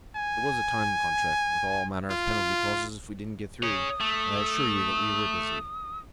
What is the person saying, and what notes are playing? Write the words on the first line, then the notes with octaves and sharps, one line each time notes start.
It was a time-contract, with all manner of penalty clauses if we didn't get through; and I assure you that we were busy.
G#5
F4
G#4 C#5 D#6
A3